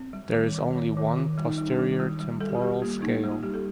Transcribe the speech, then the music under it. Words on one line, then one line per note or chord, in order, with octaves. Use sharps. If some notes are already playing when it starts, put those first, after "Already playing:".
There is only one posterior temporal scale.
Already playing: C4
G3
D#3
D#3
D#3
D#3
D#3 F4
G3
D#4
G3
D4
D#3
G3 F4
G3
G3 A4
G4
F4
G3 G4
A#3 F4
A#3 D#4
G3
F4
G3 G4
A4